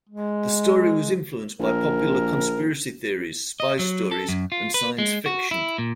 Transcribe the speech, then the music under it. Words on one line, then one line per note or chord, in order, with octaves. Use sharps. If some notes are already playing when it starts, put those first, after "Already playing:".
The story was influenced by popular conspiracy theories, spy stories, and science fiction.
G#3
A#1 A#4
D#5
F#3
A4
F#2
F4
B4
G#3
F#4
E4
A#2